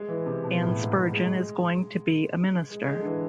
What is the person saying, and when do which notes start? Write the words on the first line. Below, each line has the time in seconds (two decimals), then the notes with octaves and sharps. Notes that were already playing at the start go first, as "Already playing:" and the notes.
Ann Spurgeon is going to be a minister.
Already playing: G#3
0.08 E3
0.26 C3
0.44 B2
0.61 A2
0.79 G#2
0.95 A2
1.13 G#3
2.70 G#3
2.87 G#3
3.00 D3
3.05 E3